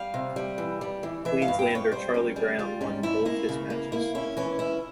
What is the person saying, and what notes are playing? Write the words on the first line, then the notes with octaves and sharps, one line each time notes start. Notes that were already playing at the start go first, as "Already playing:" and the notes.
Queenslander Charlie Brown won both his matches.
Already playing: G3 F5
C3
G3
E3
G3
E3
E3 E5
F5
G2
G5
G2 C#5
G3 C5
C#4 A#4
G3 G#4
G3 F4
G#2 C#4
C#4 E4
A#3 E4
C#3
A#3
A#3 E4
C#4 E4
E3 C#4
C#4 E4